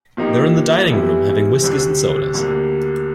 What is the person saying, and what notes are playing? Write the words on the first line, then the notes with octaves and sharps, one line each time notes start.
They’re in the dining-room having whiskies-and-sodas.
A#2 F3 A#3 D#4 G4
G2 E3 G3 B3 E4
D2 D3 G3 C4
D2 D3 G3 A#3